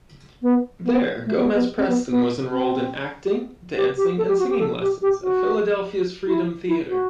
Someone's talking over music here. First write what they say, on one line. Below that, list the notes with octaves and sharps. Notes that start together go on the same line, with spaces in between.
There Gomez-Preston was enrolled in acting, dancing, and singing lessons at Philadelphia's Freedom Theatre.
B3
B3
A3
C4
B3
B3
C4
B3
B3
C4
G4
G4
A4
G4
F#4
G4
A4
G4
G4
F#4
E4
E4
F#4